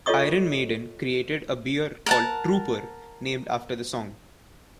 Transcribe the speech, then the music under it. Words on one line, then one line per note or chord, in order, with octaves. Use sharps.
Iron Maiden created a beer called "Trooper", named after the song.
F4 A4 C#5 D#5 C#6 D#6
A#4 F#5 A5